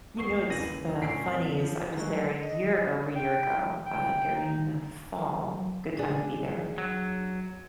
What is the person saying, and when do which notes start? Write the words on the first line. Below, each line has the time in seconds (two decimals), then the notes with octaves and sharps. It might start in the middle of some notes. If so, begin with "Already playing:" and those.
You know, it's fa funny is, I was there a year ago over a year ago, uh, during the fall- good time to be there-
0.17 E2 C#6 C7
0.49 D#2 C#3 E3 A#6 D#7 F#7
1.01 D2 A#2 C#4 B6 C7 D7
1.25 F2
1.58 F3
1.97 D3 F#3 G#3 A3
2.42 D#5
3.16 G5
3.86 G5
4.34 D#4
5.99 D4 G#4
6.78 F#3